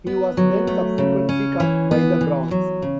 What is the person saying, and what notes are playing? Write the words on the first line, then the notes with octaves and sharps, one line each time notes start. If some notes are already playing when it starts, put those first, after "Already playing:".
He was then subsequently cut by the Browns.
B3
F#3
A3
C#3
C#4
E3
B3
E3
F#3
C#3